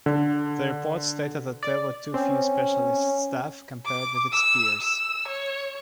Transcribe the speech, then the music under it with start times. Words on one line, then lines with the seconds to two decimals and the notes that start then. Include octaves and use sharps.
The report stated that there were too few specialist staff, compared with its peers.
0.06 D3
1.63 D5
2.14 C4 C#4
3.85 D6
4.32 E6
4.82 E6
5.28 C#5